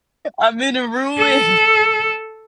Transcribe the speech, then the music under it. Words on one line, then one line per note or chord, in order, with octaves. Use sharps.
I'm in a ruin.
A4